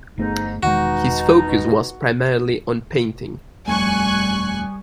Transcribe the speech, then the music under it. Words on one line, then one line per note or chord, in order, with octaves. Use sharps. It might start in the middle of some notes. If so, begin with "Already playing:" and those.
His focus was primarily on painting.
G1 G#2 A3 B3 D#4
E1 B2 D#3 G#3 D#4 F#4
D#1 F2 G3 A3 G#5 C#6 F#6